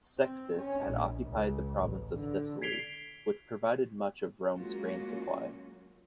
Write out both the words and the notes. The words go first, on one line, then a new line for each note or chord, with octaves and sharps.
Sextus had occupied the province of Sicily, which provided much of Rome's grain supply.
C4
C#4
A#1
C#2
A1
D3
G#6 B6 C7 D7 F7 G7
F#3 G#3 A#3 C#4 F4 F#4